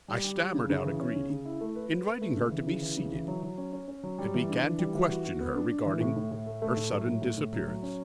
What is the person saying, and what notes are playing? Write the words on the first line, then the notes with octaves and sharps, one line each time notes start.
I stammered out a greeting, invited her to be seated, and began to question her regarding her sudden disappearance.
G3
G3
G3
C#3
C#3
E3
C#4
C#3
C#3
E4
A3
B4
B4
B4
A3
C#3
E3
C#3
E3
C#3
E3
F#3
F#3
C#4
C#4
C#4
F#3
G3
E3
D4
E3
G3
E3
F#4
F#4
B3
D4
D4
E3
A2
A2
A2
A3
A3
A2
F#3
A2
A2
A2
F#3
F#3
C#4